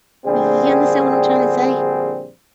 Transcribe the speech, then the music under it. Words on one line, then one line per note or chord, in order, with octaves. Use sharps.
Y you understand what I'm trying to say?
A#1 D3 G3 C4 G#4